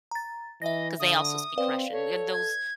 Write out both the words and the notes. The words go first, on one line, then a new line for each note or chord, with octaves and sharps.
'cause they also speak Russian, and those
A#5 A6
E3 D#5 E5 A#6
D3 D#6
C4 B4 D5 F5
A4 C#5
G#6